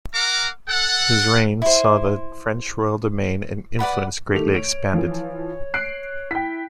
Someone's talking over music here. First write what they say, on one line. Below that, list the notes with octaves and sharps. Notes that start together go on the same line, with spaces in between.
His reign saw the French royal domain and influence greatly expanded.
A#4 F5 F#5 A#5 D6
A4 F#5
E4 C5
B4 D5 F#5 B5
D#3 A3 G4 F7
C#5 D7
E3 F3
F#6 C7 D7
E4 G5 B6